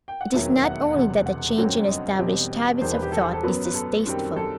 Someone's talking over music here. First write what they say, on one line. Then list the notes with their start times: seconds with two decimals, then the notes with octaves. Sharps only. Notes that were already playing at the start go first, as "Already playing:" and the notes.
It is not only that a change in established habits of thought is distasteful.
0.08 G5
0.21 F#5
0.32 E1 D#2 D#3 F#3 B3 E5
0.64 F#5
0.95 E1 E2 C3
1.26 F#5
1.57 G1 F#2 F#3 C4
1.88 D#5
2.19 E2 B2 G3 C4
2.81 E1 E2 D#3 G3 C5
2.92 B4
3.02 G4
3.12 A4
3.23 C5
3.33 A4
3.43 F#2 F#3 B3 B4
3.65 B4
3.74 A4
4.06 F#2 D#3 G3 C4
4.36 A4